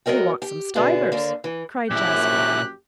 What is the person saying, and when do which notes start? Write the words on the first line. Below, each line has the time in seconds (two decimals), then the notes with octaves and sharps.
"They want some stuivers," cried Jasper.
0.06 E2 F#3 B3 A#4 D#5 G5
0.42 G4
0.75 B2 D3 B3 E4 G#4
1.12 D#2 D3 A#3
1.44 E3
1.90 A#1 F#2 A#2 E4 G4 F#6